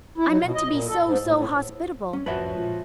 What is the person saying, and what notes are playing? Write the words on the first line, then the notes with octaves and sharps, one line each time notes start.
I meant to be so--so--hospitable.
E4
F#3
B2
D#5
A#2
A4
G#2
A2
A2
G3 G#3 C4 C#4
C2 F#2 A2 F3 F#4 B4 C#5 E5
A#2 G#3 F4